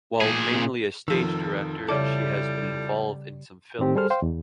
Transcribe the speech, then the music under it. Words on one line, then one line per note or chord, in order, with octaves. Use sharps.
While mainly a stage director, she has been involved in some films.
A#2 G#4
F1 D#3 F3 E6
C#3 G3 E4 A4 D5 D6
A2 D#3 C4 G4
G3 G#4 A4 C5 F6
C5 F5 G5 C6
E2